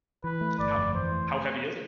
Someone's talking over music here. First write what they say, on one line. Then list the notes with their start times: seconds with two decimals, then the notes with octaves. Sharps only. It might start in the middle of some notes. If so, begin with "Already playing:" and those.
How how heavy is it?
0.24 E3 B4
0.41 A3
0.59 G1 D5
0.77 F2
0.94 E3 C5
1.11 A3